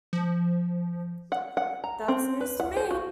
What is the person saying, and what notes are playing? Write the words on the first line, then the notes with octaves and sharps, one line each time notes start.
That's news to me.
F3
F#5
F#5
A#5
C4
B4
F#5
C5
F#4